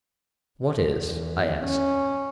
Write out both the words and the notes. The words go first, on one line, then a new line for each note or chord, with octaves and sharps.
"What is?" I asked.
E2
C#4